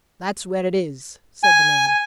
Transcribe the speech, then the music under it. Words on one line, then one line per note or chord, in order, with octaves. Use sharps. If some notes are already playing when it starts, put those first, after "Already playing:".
"That's where it is," said the man.
G#5